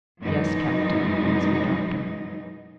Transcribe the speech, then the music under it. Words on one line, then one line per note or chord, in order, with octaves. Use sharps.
"Yes, captain," answered the doctor.
F#2 B2 E3 F#3 G#3 D#4